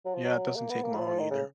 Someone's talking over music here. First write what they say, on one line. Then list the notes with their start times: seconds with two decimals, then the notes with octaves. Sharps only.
Yeah, it doesn't take long, either.
0.05 F#3
0.14 F3
0.24 F#3
0.56 A#3
0.70 B3
0.83 A#3
0.95 F3
1.07 F3
1.19 D#3
1.31 C#3